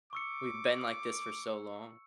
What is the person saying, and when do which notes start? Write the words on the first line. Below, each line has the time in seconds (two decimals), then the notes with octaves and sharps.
We've been like this for so long.
0.13 C#6 D6 E6 C#7